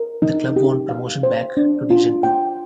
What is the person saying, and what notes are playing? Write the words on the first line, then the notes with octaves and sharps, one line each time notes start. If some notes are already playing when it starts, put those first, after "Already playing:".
The club won promotion back to Division Two.
Already playing: A#4
D#4
G4
F5
C5
D4
F4
G5